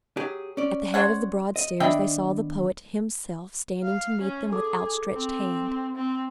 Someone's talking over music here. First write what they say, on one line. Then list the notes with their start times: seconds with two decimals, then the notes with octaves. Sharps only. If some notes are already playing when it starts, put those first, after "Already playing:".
At the head of the broad stairs they saw the poet himself standing to meet them with outstretched hand.
0.17 F#3 G4 G#4
0.57 C#4 D5
0.94 C5 C#5 F#5
1.56 D#5
1.80 D#3 B3 D4 D#5 E5 G5
3.83 F5
4.21 C#4
4.52 G#4 A4 D6
5.13 C4
5.96 C4